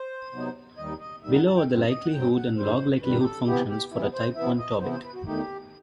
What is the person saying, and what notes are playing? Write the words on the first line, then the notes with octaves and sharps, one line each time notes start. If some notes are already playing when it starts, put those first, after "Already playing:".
Below are the likelihood and log likelihood functions for a type one Tobit.
Already playing: C5
C3 F#3 B3 D#4
D#2 D#3 G3 D#4 D#5
D#5
D#2 D#3 G3 D#4 E5
F#5
A5
G5
G2 F#3 C4
D#5
F#5
G2 F#3 C4 G5
F#5
G2 D#3 G3 C5
G2 D#3 G3 B4
G4
A4
C3 E3 B3 E4 G4
G4
C3 E3 B3 E4
C5
C3 E3 B3 E4 E5
D#5
C3 E3 B3 E4 C5
C5
B4
F#4
E2 D#3 A3 D#4 G4